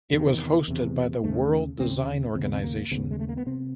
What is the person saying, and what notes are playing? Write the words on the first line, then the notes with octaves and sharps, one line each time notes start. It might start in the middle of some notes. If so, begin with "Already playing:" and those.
It was hosted by the World Design Organization.
E2 C3 D#3
E2 C3
D#2 A3
C#3
D#2 C#3 C4
D#2 C#3 C4
B3
C4
A#3
D#2 C#3 B3
G#3
A3
A#3
B3
C3 C4